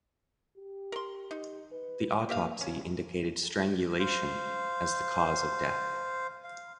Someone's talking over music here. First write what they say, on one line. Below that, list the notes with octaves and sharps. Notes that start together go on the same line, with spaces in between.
The autopsy indicated strangulation as the cause of death.
G4
A#4 C6
D#4
B4
A#3 G4 E5 F5
C#3 C#4
C5 F5
F5